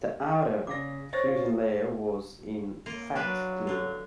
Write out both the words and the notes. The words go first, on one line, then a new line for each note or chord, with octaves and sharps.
The outer "fusion layer" was in fact glue.
C#3 D5 F5 D6 A#6
C5 C#5 D#5 A6 A#6
F4 C#5
A#3 F4
F#3 D4 F4 B4
D3 F4